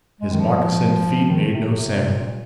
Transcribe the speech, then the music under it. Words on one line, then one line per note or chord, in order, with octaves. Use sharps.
His moccasined feet made no sound.
G#3
D#3
F3
D#3
C3
C3
A#2